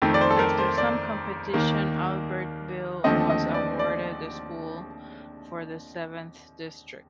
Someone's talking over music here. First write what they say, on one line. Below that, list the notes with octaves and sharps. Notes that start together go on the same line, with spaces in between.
After some competition, Albertville was awarded the school for the Seventh District.
F2 D#3 A3 C4
D5
C5
A4
A#4
C5
D5
D#2 D#3 A#3
D#2 D3 F3 A3 C4 D#5
D#5
D5
D5